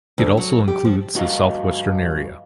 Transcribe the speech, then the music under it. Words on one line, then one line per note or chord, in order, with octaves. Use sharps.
It also includes the southwestern area.
D2
F#3
G4
F3
G2 F#4 D#5 F5 A#5